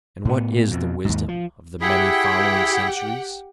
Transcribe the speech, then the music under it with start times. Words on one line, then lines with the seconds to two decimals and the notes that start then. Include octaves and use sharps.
And what is the wisdom of the many following centuries?
0.25 A2 B3
0.71 F2 B2
1.05 D#2 G#2
1.28 F3
1.81 E4 G4 G#4 E5 F#5 G5